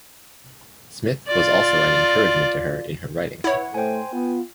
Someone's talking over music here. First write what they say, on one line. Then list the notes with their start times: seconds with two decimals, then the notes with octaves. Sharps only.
Smith was also an encouragement to her in her writing.
1.27 F4 D5
3.44 E4 B4 C#5 F#5
3.74 A2 C5 G5 G#5
4.13 B3 F4